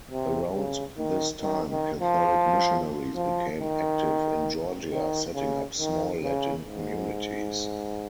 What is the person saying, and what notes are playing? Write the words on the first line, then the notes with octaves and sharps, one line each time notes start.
Around this time, Catholic missionaries became active in Georgia, setting up small Latin communities.
C3
C#3
D#3
D#3
D#3
F3
F3
D#3
D#3
C#3
D#3
C#3
G#2